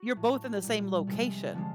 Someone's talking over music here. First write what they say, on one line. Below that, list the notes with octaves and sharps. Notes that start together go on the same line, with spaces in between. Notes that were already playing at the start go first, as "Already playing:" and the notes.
You're both in the same location.
Already playing: F#4
A2 F#3
A#2 G3
C3 F3 G#3 F4
D3 F3 G#3